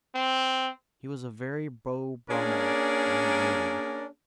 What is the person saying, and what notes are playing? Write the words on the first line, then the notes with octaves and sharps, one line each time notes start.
He was a very Beau Brummel while he waited.
C4
A#3 C#4 D4 G#4 A#4 D5